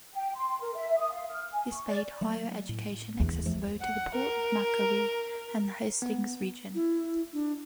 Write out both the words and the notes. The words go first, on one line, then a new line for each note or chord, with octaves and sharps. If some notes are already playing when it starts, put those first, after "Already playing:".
This made Higher Education accessible to the Port Macquarie and the Hastings region.
G5
C6
A#4
E5
D#6
F5
F6
G#5
C#6
D5
F#3 A3 A#3
A2
E2
F3 A3
F#5
A#4
B3
E4
D4